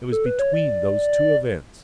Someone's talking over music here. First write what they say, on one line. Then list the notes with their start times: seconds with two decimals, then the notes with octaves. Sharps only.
It was between those two events.
0.12 A4
0.26 B4
0.39 C#5
0.53 D5